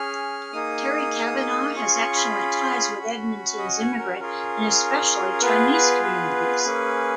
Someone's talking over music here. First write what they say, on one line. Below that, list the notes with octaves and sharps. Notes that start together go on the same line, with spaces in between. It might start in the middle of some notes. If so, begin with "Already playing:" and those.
Terry Cavanagh has excellent ties with Edmonton's immigrant and especially Chinese communities.
Already playing: C#4 G#4 F6
A#3 D#4 G#4 D#6
C#4 F4 G#4 C#6
C#6
B5
C#4 F#4
D#5
C#5
A#4
C#4 F4 G#4 A#4
B3 F4 G#4 B4
B4
B4
A#3 C#4 G#4